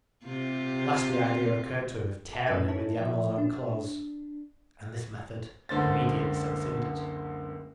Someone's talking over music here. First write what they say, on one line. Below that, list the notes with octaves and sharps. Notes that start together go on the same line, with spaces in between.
At last the idea occurred to him of tearing it with the animal's own claws, and this method immediately succeeded.
C3 F4 G4
E5 F5 G#5 D6
F#2 F#3 C#4 A4 B4 G#5
D#4 E4 C#5 A5
F3 E5
D4
F#1 C#2 D3 C5 A6